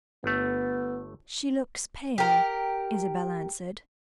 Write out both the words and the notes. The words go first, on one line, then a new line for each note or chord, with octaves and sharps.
"She looks pale," Isabel answered.
G1 A3 B3
G4 A#4